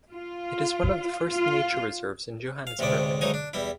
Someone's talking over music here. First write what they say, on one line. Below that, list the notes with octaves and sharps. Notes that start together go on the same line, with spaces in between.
It is one of the first nature reserves in Johannesburg.
F4
F4
F5
A1 D2 A2 C3 G#3 D5
G#2 D3 E3 F#3 D#4 G#5
D4
E2 G3 E4